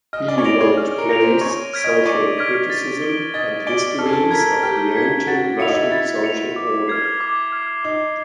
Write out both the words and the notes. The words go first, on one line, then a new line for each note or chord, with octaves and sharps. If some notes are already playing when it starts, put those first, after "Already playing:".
He wrote plays, social criticism, and histories of the ancient Russian social order.
D#5 F6
D5
C#5
D5 A#6 D7 F7
G#4
F6
A#4
A#6 D7 F7
C5
C#5 C#6
F6 G#6 B6 D7
D#5
D5 C#6
F6 G#6 B6 D7
A6
D7 G7
D#5 A6
D5 D7 G7
A4 F6
G#4
A4
A#4 G#6 B6
G4 F6
G#6 B6
F#4 A6
E4 C#7 F7
D#4
E4
E4 A6
C#7 F7
D6
F6 G#6 C7
D6
F6 G#6 C7
D#4 D6